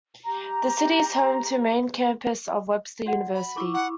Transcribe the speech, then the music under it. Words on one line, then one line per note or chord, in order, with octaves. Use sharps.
The city is home to the main campus of Webster University.
G4 A#5
F#4 D5 F#5
B5
E4 A4 A#5 C#6 D6 E6
F#5 B5